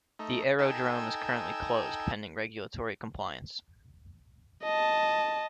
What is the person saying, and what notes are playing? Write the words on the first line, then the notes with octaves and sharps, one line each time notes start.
The aerodrome is currently closed pending regulatory compliance.
A3 D#4
D#4 A4 G5 G#5 E6
D#5 A5